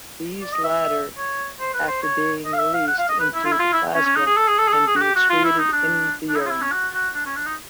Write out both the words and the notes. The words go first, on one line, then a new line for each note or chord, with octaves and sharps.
These latter, after being released into the plasma, can be excreted in the urine.
D5
D#5
E5
C#5
C5
B4
C5
C#5
D#5
F5
E5
F5
F#5
F5
D#5
B4
E4
F4
E4
F4
E4
C#4
C#4
D#4
G#4
A4
G#4
A4
G#4
A4
G#4
F#4
G4
F#4
F4
E4
D#4
D4
D4
E4
D#4
F4
E4
C#4
F#4
F#4
D4
C#4
D4
D#4